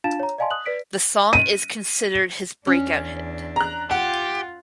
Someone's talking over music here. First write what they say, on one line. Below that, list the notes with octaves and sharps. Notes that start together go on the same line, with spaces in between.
The song is considered his breakout hit.
D4 F4 F5 A5 A6 E7
C#5 A#5
D5 D#5 F5 G#5 A5 C6
D#6 F#6 F#7
B4 D5 B6 D7
D#7
E2 C#4 D4
A#5 F#6
F4 G4 F#5